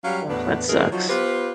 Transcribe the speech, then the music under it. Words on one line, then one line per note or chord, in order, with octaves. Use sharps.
Ugh, that sucks,
F#3 G3 C#4 F5
E2 A2 B3 D4 F#4 B4
F#2 D3 E3 G#3 G#4 A#4
F3 F#3 D#4
B3 F4 G4 B4 C5